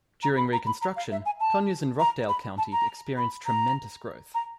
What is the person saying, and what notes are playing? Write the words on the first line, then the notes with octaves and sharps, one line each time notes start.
During Reconstruction, Conyers and Rockdale County experienced tremendous growth.
A#5
B5
A#5
B5
A#5
F5
E5
G#5
A5
A#5
B5
A5
A#5
B5
A#5
A#5